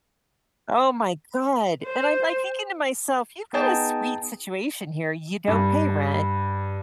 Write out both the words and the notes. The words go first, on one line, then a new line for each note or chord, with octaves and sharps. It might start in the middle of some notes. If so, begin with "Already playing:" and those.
Oh my god. And I'm, like, thinking to myself, "you've got a sweet situation here. You don't pay rent,
C5
B3 D#4 G#4 G5 A5
G2